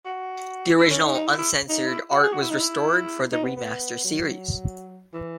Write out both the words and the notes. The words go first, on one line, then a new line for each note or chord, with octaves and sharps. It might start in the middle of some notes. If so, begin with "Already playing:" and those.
The original uncensored art was restored for the remaster series.
F#4
E4
C#4
D#4
D#4
E4
E4
D#4
E4
F#4
G#4
F#4
E4
D#4
E4
D#4
B3
B3
F#3
E3